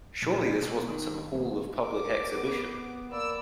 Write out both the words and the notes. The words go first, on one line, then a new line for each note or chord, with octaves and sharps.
Surely this wasn’t some hall of public exhibition!
A#1
B2
D#3
D1
A#4 D6
B3
A#3 D5 B5 E6